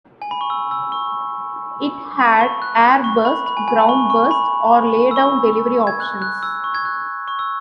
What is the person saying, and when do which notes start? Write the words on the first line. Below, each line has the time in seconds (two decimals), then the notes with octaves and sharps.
It had air burst, ground burst or laydown delivery options.
0.22 G#5
0.31 B5
0.41 C#6
0.50 E6
0.71 E6
0.92 C#6
2.19 B5
2.41 C#6
2.62 F#6
3.04 C#6
3.25 B5
3.46 B5
3.57 G#5
3.68 G#5
3.78 B5
3.89 C#6
4.10 C#6
4.31 B5
5.11 E6
5.16 C#6
5.87 G#6
6.00 F#6
6.22 F#6
6.43 E6
6.64 C#6
6.75 G#6
6.85 F#6
7.28 C#6
7.39 E6